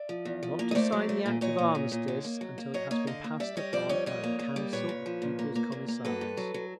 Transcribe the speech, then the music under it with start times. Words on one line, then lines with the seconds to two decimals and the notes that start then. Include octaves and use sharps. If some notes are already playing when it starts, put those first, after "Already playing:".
Not to sign the act of armistice until it has been passed upon by the Council of People's Commissars.
Already playing: D5 E5
0.09 F3
0.25 E2
0.43 F3
0.59 A#3
0.71 D#5
0.75 A3 C5 D5
0.92 F#3
1.09 A3
1.26 A#2
1.41 A#2 C#5 D#5
1.59 A#2
1.75 A#2
1.92 A#2
2.08 D3
2.25 A#3
2.41 F#3
2.58 A#3
2.74 F#3 C#5 D#5
2.91 A#3 C#5 D#5
3.07 D3 D#5 F5
3.24 A#3
3.40 G3 D5 E5
3.57 G3 C#5 D#5
3.73 F2 C5 D5
3.89 G3 C#5 D#5
4.06 F2 C#5 D#5
4.24 A#3
4.39 A#3
4.56 G3
4.73 A#2 B4 C#5
4.89 A#2
5.06 F3
5.22 A#2
5.39 A#3
5.55 A#3
5.72 A#2
5.88 A#3
6.05 F#3 A4 B4
6.21 G2
6.37 F#3
6.54 F#3